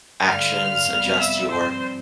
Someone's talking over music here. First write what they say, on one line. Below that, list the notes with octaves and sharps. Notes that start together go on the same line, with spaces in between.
actions, adjust your,
G2 D3 A3 F5 F6
F2 C3 G3 B3
E5 E6
G2 F3 C4 C5 C6